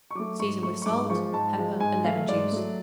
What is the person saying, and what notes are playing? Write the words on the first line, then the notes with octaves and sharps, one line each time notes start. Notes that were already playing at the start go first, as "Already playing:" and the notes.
Season with salt, pepper and lemon-juice.
C#6
F#3 A3 D6
G#2 C#6
F#3 A3 C#6
C#6
G#2 D6
F3 G#3 C#6
G#2 A5
F3 G#3
G#2 G#5
F#3 A3 F5
G#2 D5
F#3 A3